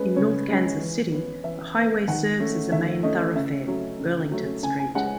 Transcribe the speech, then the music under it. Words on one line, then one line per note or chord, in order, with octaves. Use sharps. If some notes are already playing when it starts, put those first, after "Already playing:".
In North Kansas City, the highway serves as a main thoroughfare, Burlington Street.
Already playing: G#3 C#4 B4
C#3 C#5
G#3 C#4
E3
B3
E3 E5
B3
D#3 F#5
A3 C#4
D#3 E5
A3 C#4 D#5
C#3 E5
F#3 A3 C#4
C#3
F#3 A3 C#4
C#3 G#5
G#5
G#3 C#4 F#5